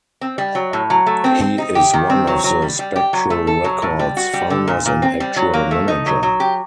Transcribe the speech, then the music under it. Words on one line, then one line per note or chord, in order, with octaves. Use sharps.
He is one of the Spectral Records founders and actual manager.
C4
G3
F#3
A2
F#3
A3
C4
C4
D#4
G4
D#3
C4
F#3
F#3
G3
G3
G4
F#3
A3
A4
F#3
A2
G3
F#4
G3
D3
A#2
A#2
C4
G3
F#3
A#3
A3
D#4
F#3
F#3
G4